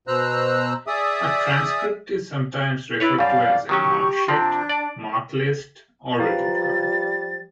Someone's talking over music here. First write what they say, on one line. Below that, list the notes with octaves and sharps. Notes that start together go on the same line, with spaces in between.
A transcript is sometimes referred to as a marksheet, marklist or report card.
B2 C5 A#5 E6 F#6
G#4 D5 E5 D#6
D4 E4 B4 C#5
F#2 G3 D5 F5
D#3 F#3 C#4 G4 C#6
C3 F3 C4 D4
D5
F3 G3 B4 F5 A#5 A6